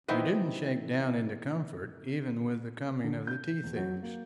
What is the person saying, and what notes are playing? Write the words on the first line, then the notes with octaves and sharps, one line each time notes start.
We didn't shake down into comfort even with the coming of the tea-things.
D#3 E3 B3 C4
D3
G6
E2
F#3
A#3